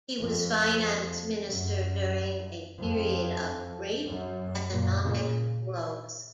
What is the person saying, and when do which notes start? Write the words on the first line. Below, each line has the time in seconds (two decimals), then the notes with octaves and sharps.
He was Finance Minister during a period of great economic growth.
0.20 F2
1.49 F#2
2.78 F2
4.07 F#2
4.71 F#2 A#2
5.03 A#2 C#3